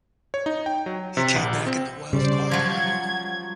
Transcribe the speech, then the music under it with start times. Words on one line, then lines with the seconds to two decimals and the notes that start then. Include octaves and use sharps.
He came back in the wildcard round.
0.34 C#5
0.46 D#4
0.66 G5
0.86 F#3
1.17 C3
1.36 A#1
1.66 C4
2.13 C#3 G3 C5 D5
2.51 F3 F#3 G#6